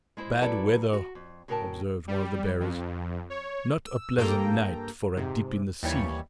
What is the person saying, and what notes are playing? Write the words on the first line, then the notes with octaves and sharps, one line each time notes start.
"Bad weather!" observed one of the bearers; "not a pleasant night for a dip in the sea."
G#3 E4 C5
F#3 E4 G4 A4 B4 D5
F#4
F2
A2 C#3 F#4 A#4 G5 A5
G3
F2
C#5
E6
G2 A#3 A4 G5 A#5
G#2 C3
D#2 E3 G3 C#5